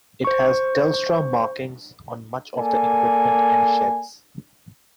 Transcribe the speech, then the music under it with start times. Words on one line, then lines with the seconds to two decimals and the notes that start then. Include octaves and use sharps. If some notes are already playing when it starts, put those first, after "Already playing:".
It has Telstra markings on much of the equipment and sheds.
0.25 C5 C#6
2.56 A#3 A4 D5 G#5